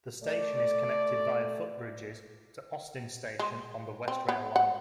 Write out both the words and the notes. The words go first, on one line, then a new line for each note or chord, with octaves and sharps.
The station is connected via footbridges to Austin Station on the West Rail Line.
A3 D5
G#3
C4
B3
F#5